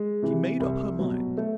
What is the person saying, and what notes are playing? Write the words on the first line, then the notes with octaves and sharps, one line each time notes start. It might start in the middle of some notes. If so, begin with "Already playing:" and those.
She made up her mind.
Already playing: G#3
C3 E3
C2
B2 F#3
A3